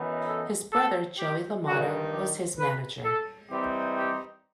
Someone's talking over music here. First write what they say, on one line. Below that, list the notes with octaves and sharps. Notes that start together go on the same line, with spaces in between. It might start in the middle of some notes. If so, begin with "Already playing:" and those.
His brother Joey LaMotta was his manager.
Already playing: F#2 E3 B3 D#4
A4
A4
G4
G2 D#3 G3 D#4 F#4
G4
B4
A4
E3 G3 C4 D#4 G4
G4